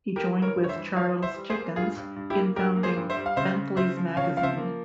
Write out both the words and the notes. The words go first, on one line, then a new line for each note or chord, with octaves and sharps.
He joined with Charles Dickens in founding "Bentley's Magazine".
E3 G4 A#4
E3
A#4 C#5
G2
C#5
C5 E5
E3
E3 C#5 F5
E3
C5 E5
G3
G#4 C5
A#3
G2 F4 G#4
G2
G2
E4 G4
A#3
G2 G4 A#4
A#3
G#4 C5
G2
C5 E5
G3
F5
C#3 C5 E5
C#3
C#3 C5 E5
F3
C#3 C#5 F5
F3 F5
C5 E5
A#3